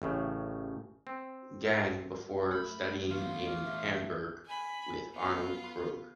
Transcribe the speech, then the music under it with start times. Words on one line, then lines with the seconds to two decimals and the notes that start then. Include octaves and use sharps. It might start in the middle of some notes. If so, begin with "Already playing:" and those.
Gänge, before studying in Hamburg with Arnold Krug.
0.02 A1 A2 C#3
1.07 C4
2.52 A3 B5
3.10 E3 A3 B3 F4 F5
3.63 E5
4.46 G#5 B5
5.12 B3 F4